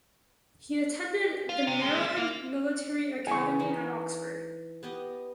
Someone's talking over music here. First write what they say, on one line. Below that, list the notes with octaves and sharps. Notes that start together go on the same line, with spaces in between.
He attended the Maryland Military Academy at Oxford.
F4
C3
G#3 A#3
E5
A#3
C#3 E3 B3 G#5 C#6
E3 D#4
B3 G4 D#5